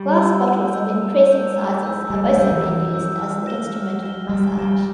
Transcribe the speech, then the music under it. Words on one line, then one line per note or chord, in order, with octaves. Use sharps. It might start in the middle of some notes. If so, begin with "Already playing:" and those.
Glass bottles of increasing sizes have also been used as the instrument of massage.
Already playing: G3
E6 G6
A5
E6 G6
A#5
E6 G6
A#5
E6 G6
G3 A#5
A3
G3 E6 G6
E3
A#5
E6 G6
F6
A#6 E7 G7
F6
A#6 E7 G7
G3 F6
G3 A#6 E7 G7